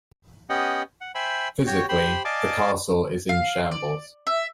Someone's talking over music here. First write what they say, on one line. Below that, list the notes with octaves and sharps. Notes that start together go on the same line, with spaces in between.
Physically, the castle is in shambles.
B3 C#4 G4 D#5 F#5
F#5
C5 E5 G5 G#5 B5
F#4 G4 C#5
G4 C5 B5
D5 D#5 F5 G#5 A5 D6
F5
D5
E5